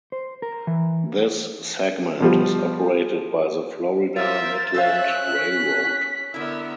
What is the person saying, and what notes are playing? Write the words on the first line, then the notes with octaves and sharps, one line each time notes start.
This segment is operated by the Florida Midland Railroad.
C5
A#4
E3
B2 F3 G3
F4 A#4 C5 E5 A6
C#4 A4 C5 E5 F5 F#6
C#4 B6
D3 B3 E4 A#4 E5